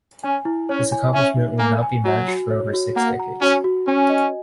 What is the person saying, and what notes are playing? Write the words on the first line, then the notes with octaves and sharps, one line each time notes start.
This accomplishment would not be matched for over six decades.
C#4 G#5
E4
C#4 C#5
G#5
C#4 E5
D#4
A#3 G#5
G#5
F#3 F#4
F#4
C#5
F#4
A#3 F#5
A#5
C#4 F#4
F#4
C#4 G#5
D#5